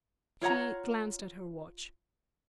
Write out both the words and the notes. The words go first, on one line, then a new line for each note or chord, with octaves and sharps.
She glanced at her watch.
F4 C#5 F#5 A#5